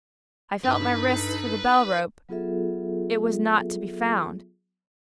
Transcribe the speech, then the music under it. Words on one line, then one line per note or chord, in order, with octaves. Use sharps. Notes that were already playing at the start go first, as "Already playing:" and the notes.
I felt my wrists for the bell-rope: it was not to be found.
G2 D#4 A4 B4
F#3 B3 F4 G#4 A4 E5